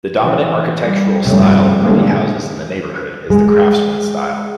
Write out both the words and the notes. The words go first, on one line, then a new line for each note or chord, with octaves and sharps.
The dominant architectural style of early houses in the neighborhood is the Craftsman style.
E3
G3
F1 G2 C#3 G3 A3
A#2 D3 D#3 G3 G#3 A#3
G#3